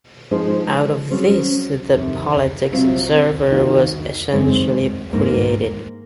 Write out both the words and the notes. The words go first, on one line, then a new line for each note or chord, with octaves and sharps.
Out of this the Politics server was essentially created.
F3 G#3 D#4 G#4 C5
F#3 C#4 G#4 C5
F2 C3 D#3
C3 F#3 C4 F4
D#2 D#3 A#3 D#4 F#4
F#2 D#3 G#3 C4
G#2 D#3 A#3